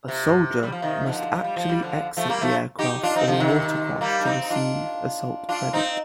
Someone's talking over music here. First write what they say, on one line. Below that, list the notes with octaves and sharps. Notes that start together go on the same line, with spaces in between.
A soldier must actually exit the aircraft or watercraft to receive assault credit.
C3
G3
F3
C3 D#3
D3 F3
F3
G3
F3
G3
D3 F3
F3 A3
G3 A#3
F3 A3
D#4 G4
D4 F4
C4 D#4
D3 F3
C3 D#3
G3 A#3
D4
C4 D#4
D#4
D4 F4
D4 F4
C4 D#4